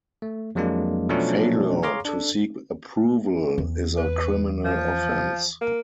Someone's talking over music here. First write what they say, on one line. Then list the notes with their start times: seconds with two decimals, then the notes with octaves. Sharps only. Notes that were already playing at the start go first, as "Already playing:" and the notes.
Failure to seek approval is a criminal offence.
0.22 A3
0.55 F2 F#3 G#3 A#3 D4
1.09 B2 F3 F#3 A3 C#4 D4
1.83 G#4 C#5 F5 A#5 C6 D6
2.05 D4 A4
3.58 E2
3.98 B4
4.65 F3
5.61 A#3